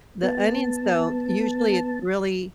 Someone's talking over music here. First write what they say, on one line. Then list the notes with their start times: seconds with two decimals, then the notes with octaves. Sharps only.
The onions though, usually it's really,
0.23 B3 A5